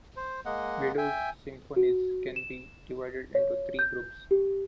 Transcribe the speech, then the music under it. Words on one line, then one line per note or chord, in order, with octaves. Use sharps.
Widor's symphonies can be divided into three groups.
C5
G#3 A#3 D#5 F#5
E5 G5 G#5
F#4
E7
C#5
G6
G4